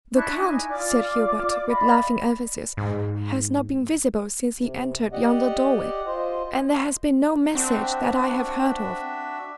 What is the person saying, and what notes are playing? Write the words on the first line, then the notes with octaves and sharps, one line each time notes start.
The count," said Hubert, with laughing emphasis, "has not been visible since he entered yonder doorway, and there has been no message that I have heard of.
D4 E4 C#6 F#6
D#4 E4 G#5
F4 D5 D6
D5 D#5 F5 B5
G#2
C3
G4 D5 D#5 F#5
F4 C5 D#5
C4 D4 F#4 E5